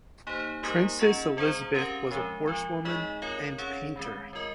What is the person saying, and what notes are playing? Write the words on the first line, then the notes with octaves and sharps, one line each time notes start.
Princess Elisabeth was a horsewoman and painter.
A#3 D#4 G4 C5
G3 A#3 D#4 G4 A#4
C#4 F4 G#4 D#5
G3 C4 F4 G#4 C5
C#4 G4 A#4 F5
F3 G#3 C4
F3 C4 F4
G#3 D#4 G#4 D#5
C4 F4 A#4 C#5 F5
C#4 G#4 C#5 F5
D#3 G#3 C4
G#3 C4 F4 A#4 D#5